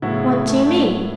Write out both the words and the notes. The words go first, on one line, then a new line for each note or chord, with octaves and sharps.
What do you mean?
A2 C#3 F#3 B3 E4
A3
A3